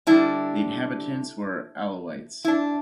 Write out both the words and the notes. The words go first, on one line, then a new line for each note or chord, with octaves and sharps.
The inhabitants were Alawites.
D3 G3 D4 E4
E4
D4